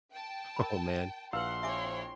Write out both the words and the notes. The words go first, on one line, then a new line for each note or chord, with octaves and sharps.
Oh, man.
G5 A5
A#4 B5
A#1 E4 B4 F5 F#5 C6 E6
C4 E4 C#5 E5 G#5 D6